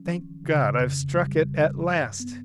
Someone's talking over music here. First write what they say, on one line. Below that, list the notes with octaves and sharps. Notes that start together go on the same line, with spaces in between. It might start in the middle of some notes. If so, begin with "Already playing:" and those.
"Thank God, I've struck it at last!"
Already playing: F3 F#3 C#4
D#3
C#3
F2
G3
D#3
G2
B3